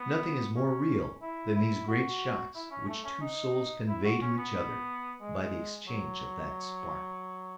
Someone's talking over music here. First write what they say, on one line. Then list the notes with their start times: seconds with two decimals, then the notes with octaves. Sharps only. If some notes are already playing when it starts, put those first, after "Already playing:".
Nothing is more real than these great shocks which two souls convey to each other by the exchange of that spark.
Already playing: B3
0.56 C#4
1.22 E4
1.56 E4
1.88 F#4
2.55 E4
2.71 C#4
2.88 A3
3.05 C#4
3.21 D#4
3.88 E4
4.05 F#4
4.22 C#4
4.38 B3
5.21 G#3
5.87 F#3